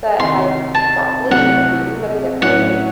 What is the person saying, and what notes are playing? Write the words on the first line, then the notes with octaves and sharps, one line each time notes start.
that I probably shouldn't have eaten, but I definitely did.
C2 C3 D#3 C6
A5
C2 C3 F#3 A3 F#5
A2 F#3 C#4 F#5